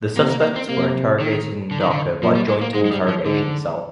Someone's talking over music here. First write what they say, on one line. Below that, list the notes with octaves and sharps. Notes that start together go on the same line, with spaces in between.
The suspects were interrogated in Dhaka by Joint Interrogation Cell.
C3 A#3
A#3
A#3
C4
C3 A#3
D#3
D3
D#3
D3
A#2 F3
G3
G#3
A#3
G#2 G#3
G#3
G3
F3
G#2 D3